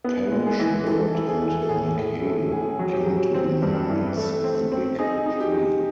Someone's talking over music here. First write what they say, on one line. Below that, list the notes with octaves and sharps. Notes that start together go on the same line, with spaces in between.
Parish, Bird and McHale came to be known as The Big Three.
B3
G#3
G#4
E3
E3 A4
E3
G#4
E3
A4
A2 G#4
A2
A3
A2 G#4
F#3
G4
F#3
C4
G2
E3
A3
C4
C4
D#4 G#4
D#4
G4
D#4